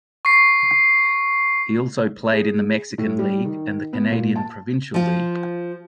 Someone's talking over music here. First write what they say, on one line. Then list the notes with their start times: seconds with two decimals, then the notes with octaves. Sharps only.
He also played in the Mexican League, and the Canadian Provincial League.
0.25 C#6 C7
2.33 G#4
2.98 A2
3.19 G3
3.45 D#3
3.93 B3
4.11 A#2
4.36 A5
4.94 F3 F4